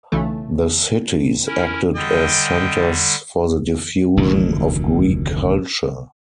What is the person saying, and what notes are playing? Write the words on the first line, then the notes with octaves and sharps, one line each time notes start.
The cities acted as centers for the diffusion of Greek culture.
B1 C#3 E3 A3
C#4 E4 A#4
D3 G3 D#5 G5
F1 D2 A#2 D#3